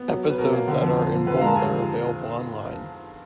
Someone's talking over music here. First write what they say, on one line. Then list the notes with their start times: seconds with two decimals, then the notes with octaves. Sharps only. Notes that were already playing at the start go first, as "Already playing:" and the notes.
Episodes that are in bold are available online.
Already playing: B3
0.08 F#3
0.23 C#4
0.30 B4
0.38 B2 A#4
0.53 A#3
0.68 D3
0.82 F2
0.97 F2
1.12 F3
1.27 D3 B4
1.36 F5
1.41 G#3 A#5
1.46 A5
1.56 G2 G#5
1.71 F3